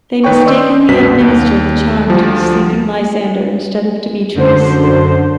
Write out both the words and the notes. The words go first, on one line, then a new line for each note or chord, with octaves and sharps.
They mistakenly administer the charm to the sleeping Lysander instead of Demetrius.
D#3 B4 C#5 G5 C#6
D5 D#5 C6 E6 G6
C2 F#2 B2 B4 B6
D#2
D2 F3 G3
F#2 D3 C5